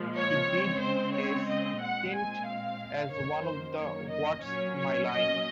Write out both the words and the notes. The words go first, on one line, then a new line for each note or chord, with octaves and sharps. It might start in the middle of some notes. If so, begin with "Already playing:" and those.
He did a stint as one of the What's My Line?
Already playing: A#2 F3 G#3
C#5
C#3 G#3 C4
C5
C#5
D#5
A#2 G#3 C4 F#5
G#5
F5
F#2 D#3 A#3 C#5
C5
C#5
D#5
A#2 F#3 C#4 C#5
C#5
D#5